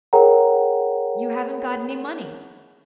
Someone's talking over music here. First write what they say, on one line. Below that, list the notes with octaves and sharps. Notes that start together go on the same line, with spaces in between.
"You haven't got any money."
G#4 A#4 C#5 F#5 G5 A#5